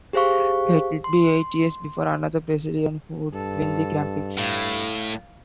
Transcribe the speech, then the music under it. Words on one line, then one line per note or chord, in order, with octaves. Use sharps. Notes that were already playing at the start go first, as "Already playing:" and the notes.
It would be eight years before another Brazilian would win the Grand Prix.
G4 G#4 C5 F5 C#6
C6
G2 A4
A2 F5